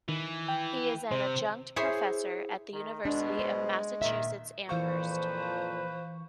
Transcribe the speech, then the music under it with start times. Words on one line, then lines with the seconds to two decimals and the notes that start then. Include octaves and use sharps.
He is an adjunct professor at the University of Massachusetts Amherst.
0.08 D#3 E3
0.48 G5
1.11 C3 C5
1.76 E4 G#4 C5 C#5 E5
2.73 D#3
3.05 B2 G#3 D4
3.39 C5
4.02 A#2 D#3 E5
4.69 F2 A#2 E3 F3 B4 C5 F5 C#6